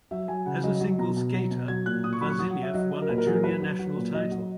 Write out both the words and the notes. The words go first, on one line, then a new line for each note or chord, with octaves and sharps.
As a single skater, Vasiliev won a Junior national title.
F#3 E5
F#3 G#5
C#3 F#5
F#3 D#5
D#5
F#3
B2 A#5
B2
F#3
B2
F#3 G#6
A#2 F#6
A#2 D#6
C#6
F#3 B5
C#6
F#3 D#6
F#5
F#3
E5
F#3 D#5
F#3 D#5
A#4
A#2 B4
A#4
F#3 G#4
A#4
F#3 B4
F#3
F#3
A#2
F#3 D#5
F#3